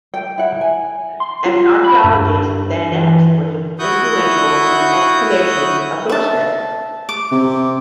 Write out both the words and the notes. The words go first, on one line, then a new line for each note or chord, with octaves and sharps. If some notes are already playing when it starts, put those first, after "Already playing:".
As an archaeologist van Es was influential in the excavations of Dorestad.
G5
E4 F#5
G#5
C6
F4
B5
G2
E3
E4 F#4 C#6 D#6 F#6 G6
E5 A5
D6
C3